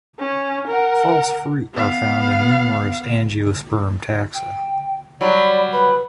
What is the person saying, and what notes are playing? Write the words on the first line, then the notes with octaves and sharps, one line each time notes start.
False fruit are found in numerous Angiosperm taxa.
C#4
A#4 F#5
B3 F5
G5
F#3 G3 D5 B5
B4 B5